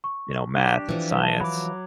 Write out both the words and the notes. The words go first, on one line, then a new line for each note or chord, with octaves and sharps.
you know, math and science.
C#6
D4 G4
E3 F3
A5
F#3 B5 D6